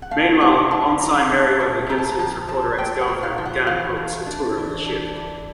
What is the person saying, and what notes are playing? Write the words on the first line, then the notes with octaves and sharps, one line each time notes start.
Meanwhile, Ensign Mayweather gives his reporter ex-girlfriend, Gannet Brooks, a tour of the ship.
F#5
A3 F5
A3 F#5
A2 A5
F#3 A#5
A3
A2
C4 A#5
A5
A#5
F3 A5
F3 A5
A3 G5
F#5
A#2
F5
F3
F#5
E3 F5
A3
D4
E3
D4
E3